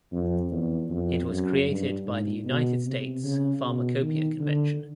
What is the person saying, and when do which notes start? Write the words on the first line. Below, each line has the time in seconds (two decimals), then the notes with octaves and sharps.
It was created by the United States Pharmacopeia Convention.
0.12 F2
0.51 E2
0.90 F2
1.30 F#2
1.68 G2
2.06 G#2
2.45 B2
2.85 C3
3.24 C#3
3.62 B2
4.02 D#3
4.40 D3